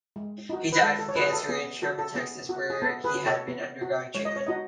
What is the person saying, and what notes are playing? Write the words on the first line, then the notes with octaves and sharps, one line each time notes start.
He died from cancer in Sherman, Texas where he had been undergoing treatment.
G#3
D#4 F#4
B4
G#3 A4
A4
C#5
D#4 F#4 G#4 B4
G#4
A4
B3 G#4
F#4 A4
A4
B3 G#4
F#4
G#4
B3 A4
G#4 B4
F#4
A4 C#5
B3
F#4
G#3 C#5
D#5
C#5
D#4 F#4 D#5